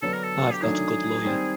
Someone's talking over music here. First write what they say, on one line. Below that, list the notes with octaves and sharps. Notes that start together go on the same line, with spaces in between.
I've got a good lawyer.
D3 F#3 B3 D4 A4
A#4
A4
G4
D#3 F#3 A3 D4 G#4
D#3 G3 C4